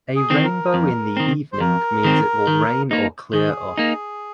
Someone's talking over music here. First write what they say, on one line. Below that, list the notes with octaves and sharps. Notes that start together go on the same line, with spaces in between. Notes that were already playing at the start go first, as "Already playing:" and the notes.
A rainbow in the evening means it will rain or clear up.
G#4
D#3 C4
A#4
F2
D#3 C4
C5
F2 A#4
D#3 C4
D#3
A#3 D#4
D#3 G#4
A#3 D#4